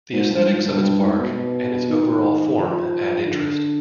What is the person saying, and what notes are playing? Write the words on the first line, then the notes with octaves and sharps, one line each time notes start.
The aesthetics of its bark and its overall form add interest.
G#2
G2
G#2
G2
G2
G#2
B2
D#3
F3
D#3
D3